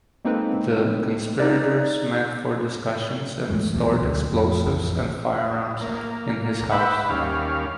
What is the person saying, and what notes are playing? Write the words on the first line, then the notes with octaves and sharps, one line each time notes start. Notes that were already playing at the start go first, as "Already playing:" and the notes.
The conspirators met for discussions and stored explosives and firearms in his house.
G#3 A#3 C4 D#4 A4 B4
D#4 D5
E2 G#2 G#3 A3
B1 E2 B2 F#3
D2
F2
A1 F2
A#3
B4 E5 F#5 G5 B5
D#2 G3 C#4 F5